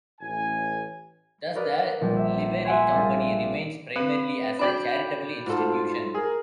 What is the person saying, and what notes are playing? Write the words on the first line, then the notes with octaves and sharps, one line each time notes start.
Thus, the Livery Company remains primarily as a charitable institution.
A1 G#5
A#4 B4 D5 D#5
A#1 G3
E5
E5 F#5 G#5 C6 G#6
G3 A#3 D4 G#4
C4 B4
D4 F#4 D5 G5 B5
G#2 F4 A4
G#4 A#4